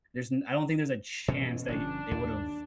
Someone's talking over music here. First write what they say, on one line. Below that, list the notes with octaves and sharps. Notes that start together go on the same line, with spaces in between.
There's n I don't think there's a chance that he it would have
B2 E3 C#4
G1 F3 C#4 D4
D#2